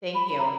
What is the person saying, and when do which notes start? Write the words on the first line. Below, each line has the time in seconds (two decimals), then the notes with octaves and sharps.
Thank you.
0.15 B5
0.27 B5
0.39 A#5